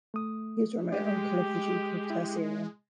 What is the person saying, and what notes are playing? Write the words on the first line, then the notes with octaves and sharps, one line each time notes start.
He was a remote uncle of the Duke of Terceira.
A3 D#6
G#3 G4
E4